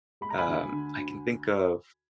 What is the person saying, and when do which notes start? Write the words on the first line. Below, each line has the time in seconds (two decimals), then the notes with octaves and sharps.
uh, I can think of
0.21 G#3 B5
0.30 A#5
0.38 G#5 B5
0.47 D2
0.72 D3
0.97 D2